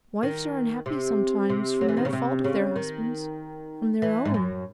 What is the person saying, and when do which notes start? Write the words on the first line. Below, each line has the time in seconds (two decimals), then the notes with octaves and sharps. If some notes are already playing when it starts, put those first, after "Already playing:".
"Wives are unhappy sometimes; from no fault of their husbands--from their own."
0.23 D#3
0.86 C3
1.50 C3
1.81 F#3
1.89 E3
1.97 D#3
2.05 C#3
2.13 C3
2.44 C#3
2.76 D#3
4.02 E3
4.25 G#2
4.34 F#2